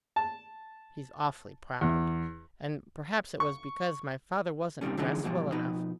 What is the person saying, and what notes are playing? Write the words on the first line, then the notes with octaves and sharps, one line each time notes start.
He's awfully proud; and perhaps it was because my father wasn't dressed well enough.
A5
E2
C#6
D#2 C3 D#3 G3 C#4
D3 E3 F3 G#3 C#4 D#4
F2 G#2 B2 E3 F3 G3
B2 F3 D#4 B4